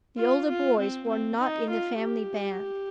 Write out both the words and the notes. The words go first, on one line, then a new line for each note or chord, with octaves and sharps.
The older boys were not in the family band.
F4
F4
C4
C4
D#4
F4
G4